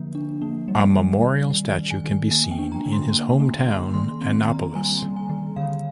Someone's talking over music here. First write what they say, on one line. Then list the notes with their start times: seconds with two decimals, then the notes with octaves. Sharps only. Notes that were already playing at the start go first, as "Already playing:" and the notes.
A memorial statue can be seen in his hometown Anopolis.
Already playing: D3 F3 A#3
0.15 D4
0.42 A#3
0.68 G3
0.96 D#3
1.22 D#3
1.50 D#3
1.77 D#3
1.91 G#5
2.04 D#3
2.31 A#3 G#5
2.51 G5
2.58 D4
2.72 A#5
2.86 D3
2.93 C6
3.13 A#3
3.40 A#3
3.67 A#3
3.94 D#3 C6
4.21 C4 C6
4.48 D#3 A#5
4.75 G3 G#5
5.03 D#3
5.16 G#5
5.29 D#3
5.56 D3 F5